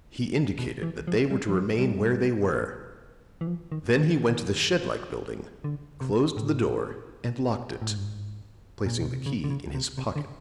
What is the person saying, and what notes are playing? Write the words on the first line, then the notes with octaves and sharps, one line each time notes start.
He indicated that they were to remain where they were; then he went to the shed-like building, closed the door and locked it, placing the key in his pocket.
B2
E3
F3
G3
F3
F#3
G3
E3
F3
D#3
D#3
D3
C3
A2
A2
G#2
G2
G#2
A#2
B2
C3
C#3
D3
C#3
C3
C3
D3